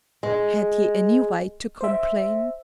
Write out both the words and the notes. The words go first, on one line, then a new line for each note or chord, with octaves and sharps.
Had he any right to complain?
G#3
C5 E5